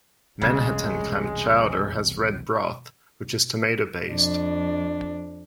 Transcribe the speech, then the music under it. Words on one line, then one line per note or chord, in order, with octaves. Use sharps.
Manhattan clam chowder has red broth, which is tomato-based.
E1 C2 C#3 G#3
F2 D4